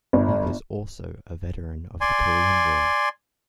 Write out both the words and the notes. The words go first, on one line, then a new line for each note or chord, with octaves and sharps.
He was also a veteran of the Korean War.
G1
D5 G#5 C6